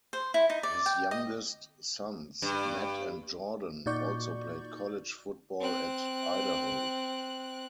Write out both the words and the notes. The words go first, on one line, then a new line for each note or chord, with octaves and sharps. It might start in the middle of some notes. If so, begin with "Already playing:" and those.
His youngest sons, Matt and Jordan, also played college football at Idaho.
C5
E4
D#4
D5
G5
D#5
G2
A#2 D#4 F#4 D5 C#6 G6
C4 F#6